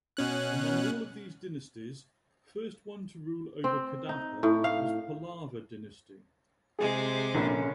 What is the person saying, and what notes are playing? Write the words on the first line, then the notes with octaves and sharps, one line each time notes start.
Among all of these dynasties, first one to rule over Kadapa was Pallava dynasty.
B2 C#4 F#6
C4
D#4
A2
F5
C3 G#3 G#4 C5
A#1 D3 C#4